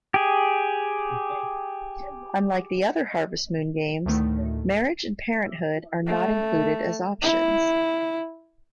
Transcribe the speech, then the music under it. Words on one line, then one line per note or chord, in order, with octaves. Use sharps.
Unlike the other Harvest Moon games, marriage and parenthood are not included as options.
G4 G#4
D2 A2 D#3 A3
A3
E4